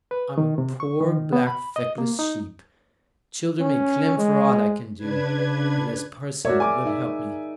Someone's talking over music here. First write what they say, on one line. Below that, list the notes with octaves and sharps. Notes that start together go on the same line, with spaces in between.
I'm a poor black feckless sheep--childer may clem for aught I can do, unless, parson, yo'd help me?'
B4
D#3
C3
C#6
D#3
B3
B5
D#5
A#3
D#4
C#4
G#3
C#3 D4 B4 G#6
F#4 A#4 C#5 D5 E5
G#4 G#5 D6
D#4 E5